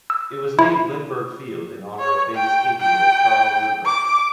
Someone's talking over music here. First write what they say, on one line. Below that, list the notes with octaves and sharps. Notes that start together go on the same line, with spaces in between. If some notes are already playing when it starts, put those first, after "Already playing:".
It was named Lindbergh Field in honor of famous aviator Charles Lindbergh.
E6
E4
C#5
G5
G5
D6